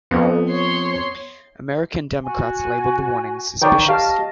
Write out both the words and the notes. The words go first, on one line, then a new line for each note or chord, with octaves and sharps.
American Democrats labeled the warning "suspicious".
F2 B3
C#5 C6
F#4 G#5
D#3 C#5 D5 G5
G4 D#5 F5 A5